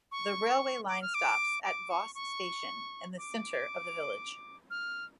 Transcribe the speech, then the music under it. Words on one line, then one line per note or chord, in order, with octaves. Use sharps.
The railway line stops at Voss Station in the centre of the village.
C#6
D6
F6
D6
D6
C#6
C#6
D6
F6